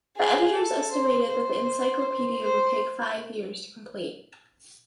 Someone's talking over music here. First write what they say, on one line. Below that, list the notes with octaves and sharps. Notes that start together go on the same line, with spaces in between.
The editors estimated that the encyclopaedia would take five years to complete.
G#4
A4
C5
C5
C5